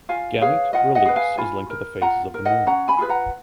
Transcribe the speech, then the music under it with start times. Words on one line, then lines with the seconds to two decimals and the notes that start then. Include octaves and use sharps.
Gamete release is linked to the phases of the moon.
0.09 F4 F5 G#5
0.41 G#4 B4 C#5 F5
0.73 F4 D#5 F#5
0.95 D#5 F#5
1.05 G#4 B4
1.16 F5 G#5
1.38 F4 G#5 B5
1.70 A#4
2.02 F4 F#5 A#5
2.34 A#4
2.45 D#5 F#5
2.67 C#4 F#5 A#5
2.88 G#5 B5
2.98 F4 G#4 B4
3.09 F#5 A#5